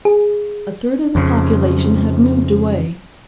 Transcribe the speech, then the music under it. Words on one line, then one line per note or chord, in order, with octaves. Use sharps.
A third of the population had moved away.
G#4
F2 C#3